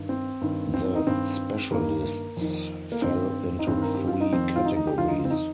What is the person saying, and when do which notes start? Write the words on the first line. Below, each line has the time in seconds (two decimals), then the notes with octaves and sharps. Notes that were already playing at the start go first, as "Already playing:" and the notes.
The specialists fell into three categories.
Already playing: G2 D#3
0.09 C4
0.41 G2 D#3
0.74 C4
0.84 C4
0.95 D#4
1.07 G2 D#3 C4
1.72 G2 D#3 A#3
2.37 F2 D#3
2.92 A#3
3.02 G2 D#3 C4
3.59 D#4
3.67 G2 D#3 C4
3.82 A#4
3.95 G4
4.08 F4
4.21 D#4
4.33 F2 D#3 C4
4.56 F4
4.65 D#4
4.76 D#4
4.87 G4
4.98 F2 D#3 F4
5.09 D#4
5.19 F4
5.25 C4
5.31 D#4